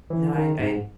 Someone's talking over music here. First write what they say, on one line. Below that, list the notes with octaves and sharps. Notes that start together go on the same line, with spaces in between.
No, I I
E3
D#3
G#2